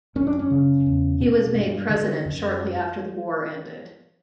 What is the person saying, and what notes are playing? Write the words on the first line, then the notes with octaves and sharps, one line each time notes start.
He was made President shortly after the war ended.
F#2 C#4
D4
C#4
C#3
E2
B2
G2
D3
F#2